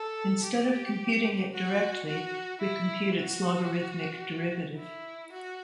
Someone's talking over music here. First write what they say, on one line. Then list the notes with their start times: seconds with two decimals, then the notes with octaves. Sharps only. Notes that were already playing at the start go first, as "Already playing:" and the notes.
Instead of computing it directly, we compute its logarithmic derivative.
Already playing: A4
0.45 G4
1.53 F#4
2.07 F#4
2.61 E4
3.16 F#4
4.78 E4
5.33 F#4